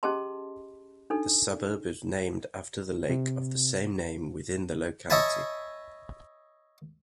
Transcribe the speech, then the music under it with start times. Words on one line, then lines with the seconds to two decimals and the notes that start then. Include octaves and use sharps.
The suburb is named after the lake of the same name within the locality.
0.03 C#4 G4 G#4 D#5 A5 C6
1.10 D4 D#4 A4
3.09 C3
5.10 C#5 D#5 E5 G#5 A5 B5